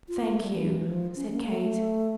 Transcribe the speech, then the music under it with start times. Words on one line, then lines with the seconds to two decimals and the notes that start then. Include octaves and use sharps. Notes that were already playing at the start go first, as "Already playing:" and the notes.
"Thank you," said Kate.
0.08 F4
0.24 A#3
0.34 A3
0.44 G3
0.55 E3
0.85 F3
1.16 C#4
1.32 A#3
1.47 A3
1.62 A3